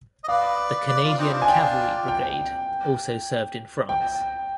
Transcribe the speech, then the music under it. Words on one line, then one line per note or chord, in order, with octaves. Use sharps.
The Canadian Cavalry Brigade also served in France.
D#5
B4 D5 F5
B4 D5
D4 F4
C4 D#4
D#4
D4 F4
G#5
G5
G5
G5